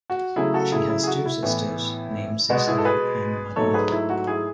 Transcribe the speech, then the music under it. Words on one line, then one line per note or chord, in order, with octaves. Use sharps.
She has two sisters, named Cisely and Mariel.
F#4
C#3 F#3 A3 E4 G#4
F#4 A4
E4 G#4
E4
G#4
F#4
E4
A2 E3 B3
B2 G#3 B3 F#4
E4 G#4
A4
G#4 B4
G#2 F#3 A3 A4 C#5
G#4 B4
E4
F#4
E4 G#4